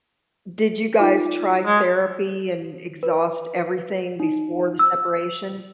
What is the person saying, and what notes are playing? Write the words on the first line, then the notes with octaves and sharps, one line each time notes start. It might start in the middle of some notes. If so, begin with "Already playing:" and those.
Did you guys try therapy and exhaust everything before the separation?
D#4 F4 D6
G#3
B4
D#4
E6